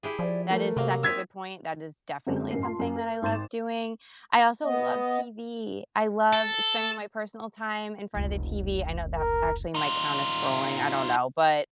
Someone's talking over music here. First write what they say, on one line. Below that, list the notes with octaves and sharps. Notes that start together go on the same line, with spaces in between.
That is such a good point, that is definitely something that I love doing. I also love TV, I love spending my personal time in front of the TV I know that actually might count as scrolling, I don't know, but
E4 G4 G#4
F3 D5
A3 A#4
C3 F#3 A#3
C4 D#4 E6 G#6 B6
F#2 D3 F#3 G#3 C4 D4
A1 F#2 A#4 C7
F4 A5 C6
F#2
A#4
G#1 C6 A6 E7
B3 D#5
A4
F1 C#2
A#4
D#4 F4